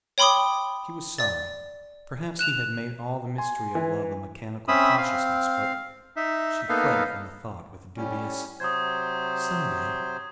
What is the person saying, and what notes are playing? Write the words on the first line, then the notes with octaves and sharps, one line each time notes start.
She was sorry----Perhaps he had made all the mystery of love a mechanical cautiousness but----She fled from the thought with a dubious, "Some day."
C#5 G5 B5 C6 D6 D#6
D5 A6
F#6 E7 F7
G#5 C6
E3
C4 C#4 E5 B5 D#6 E6
C4 F5
D#4 E5
A#3 B3 D#4 A4 F5
A2 G3 C#4
C3 F#3 C5 D#6 G#6